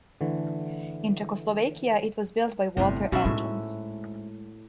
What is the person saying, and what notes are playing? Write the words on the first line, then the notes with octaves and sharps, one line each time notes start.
In Czechoslovakia it was built by Walter Engines.
D3 E3 A3
G1 A2 C3
G#2 B2 B3 C#4 E5
A2 G#3